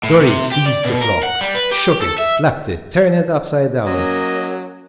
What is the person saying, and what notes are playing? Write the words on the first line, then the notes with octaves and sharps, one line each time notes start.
Dorry seized the clock--shook it, slapped it, turned it upside-down.
A2
C3
G4
D5
B2
A#4
F#5
G3
B4
G4
A4
E5
F#3 A#3 C#4 D#5